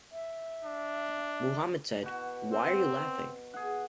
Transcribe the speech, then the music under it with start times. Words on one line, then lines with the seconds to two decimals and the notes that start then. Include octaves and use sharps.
Muhammad said: Why are you laughing?
0.12 E5
0.65 D4
2.03 B2 F#4
2.52 C4
3.54 G#4 F#5